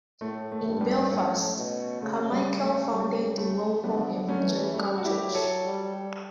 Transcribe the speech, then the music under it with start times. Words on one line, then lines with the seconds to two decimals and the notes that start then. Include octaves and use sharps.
In Belfast, Carmichael founded the Welcome Evangelical Church.
0.21 A2 A3
0.52 A3
0.67 G2
0.81 G3 B3
1.11 A2 A3 C#4
1.57 B2
2.02 C#3 A3
2.32 G3
2.62 A3
2.93 G3
3.38 A3
3.83 D3 G3 B3
4.14 D3
4.28 A3 C#4
4.44 E3
4.74 G3 A3
4.98 F#4
5.05 E4 G4
5.20 F#3
5.34 A4 C#5
5.65 G3
5.96 G3